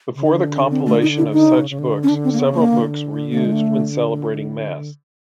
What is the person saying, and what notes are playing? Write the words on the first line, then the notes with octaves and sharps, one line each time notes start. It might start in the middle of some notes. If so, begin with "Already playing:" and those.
Before the compilation of such books, several books were used when celebrating Mass.
C#3
D3 D#4
D4
C#4
C4
A3
D#4
E4
D#4
C#3
C#3
D3
C#4
D3 D4
C4
A#3
C#3 B3
A#3
D3
A#3
A3
G#3
A3